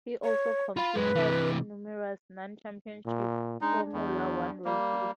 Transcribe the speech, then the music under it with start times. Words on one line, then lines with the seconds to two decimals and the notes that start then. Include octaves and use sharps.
He also competed in numerous non-Championship Formula One races.
0.24 C#5
0.77 F4 F5 B5
0.95 F#2 G#3 B4
1.15 C3 E3
3.06 A#2
3.61 G#3 D4 D#4
3.93 E2
4.65 G3 A#3